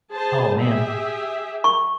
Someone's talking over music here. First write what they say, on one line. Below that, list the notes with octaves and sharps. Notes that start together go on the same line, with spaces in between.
Oh, man.
G#4 C5 A5
G4 G#4 E5
C#6